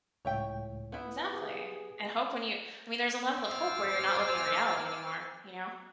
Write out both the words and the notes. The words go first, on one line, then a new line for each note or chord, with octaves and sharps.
Exactly, and hope when you I mean, there's a level of hope where you're not living in reality anymore, you know?
C#2 A2 C#5 E5 G5
B3 E4
G4 G#4 G#5
C5 G#5 D6 E6 F6 A6